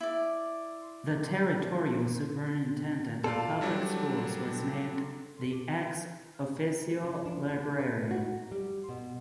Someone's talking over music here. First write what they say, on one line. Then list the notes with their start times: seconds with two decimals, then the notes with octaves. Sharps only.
The Territorial Superintendent of Public Schools was named the Ex Officio Librarian.
0.01 E4 D5
3.24 F4 A4 D5 F5
3.61 F#3 G3 D4
7.04 C#3
7.25 D4
7.50 D4
7.80 B4
8.11 F#4
8.52 G3
8.89 B2